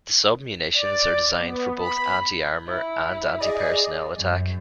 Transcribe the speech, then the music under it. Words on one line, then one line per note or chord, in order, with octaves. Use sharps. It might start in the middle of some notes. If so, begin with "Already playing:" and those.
The sub-munitions are designed for both anti-armor and antipersonnel attack.
D5
B3
B5
E4
G#4 D5 D#5
F#2